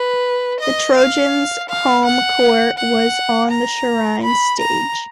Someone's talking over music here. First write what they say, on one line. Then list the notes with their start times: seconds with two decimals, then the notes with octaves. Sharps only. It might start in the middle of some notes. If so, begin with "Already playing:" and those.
The Trojans' home court was on the Shrine's stage.
Already playing: B4
0.60 D#5
0.96 F5
1.69 F5
2.05 F#5
2.78 F#5
3.50 A#5
4.22 B5
4.59 A#5